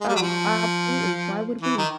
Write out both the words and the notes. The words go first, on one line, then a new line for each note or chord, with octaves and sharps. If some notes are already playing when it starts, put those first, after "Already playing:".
Oh, absolutely, why would we?
G#3
G3
F#3
F3
E3
D#3